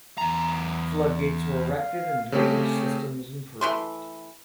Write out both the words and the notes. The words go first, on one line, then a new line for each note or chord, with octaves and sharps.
Flood gates were erected and drainage systems improved.
E2 A#5
F5
C#3 A3 C4 C#4 G4 G#4
E3 A3 C6